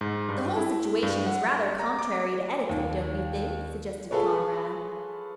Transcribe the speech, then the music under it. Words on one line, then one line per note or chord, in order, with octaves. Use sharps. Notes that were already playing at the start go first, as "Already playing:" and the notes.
"The whole situation is rather contrary to etiquette, don't you think?" suggested Conrad.
G#2
G2
E4
G2
F#5
A#5
D6
D#2
F4 G#4 A4 B4 C#5